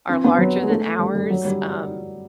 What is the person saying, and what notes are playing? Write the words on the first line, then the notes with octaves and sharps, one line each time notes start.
are larger than ours, um,
C4
B3
F#3
G#3
A3
G3
G3
F#3
G3